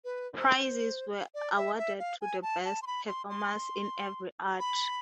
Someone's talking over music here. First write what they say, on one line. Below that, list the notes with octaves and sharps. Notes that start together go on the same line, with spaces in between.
Prizes were awarded to the best performers in every art.
B4
C5
D5
E5
E5
F5
G#5
A5
A5
C6
B5
C6
C6
B5